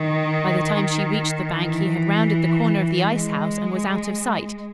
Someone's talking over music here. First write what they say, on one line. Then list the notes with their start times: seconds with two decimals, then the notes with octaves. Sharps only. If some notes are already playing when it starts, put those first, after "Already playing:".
By the time she reached the bank he had rounded the corner of the ice house and was out of sight.
Already playing: D#3
1.58 E3
3.05 G#3